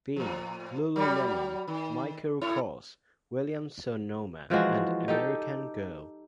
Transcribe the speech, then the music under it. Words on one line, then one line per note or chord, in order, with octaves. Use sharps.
Bean, lululemon, Michael Kors, Williams-Sonoma, and American Girl.
A2 F3
F#3 G3
D#3
A2 E4 C#5
E3 F3 G#3 F#4
D#4 G4 A4